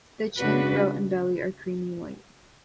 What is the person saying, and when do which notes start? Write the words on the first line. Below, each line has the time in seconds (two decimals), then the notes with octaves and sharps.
The chin, throat and belly are creamy white.
0.38 C#3 G#3 D4 F#4 B4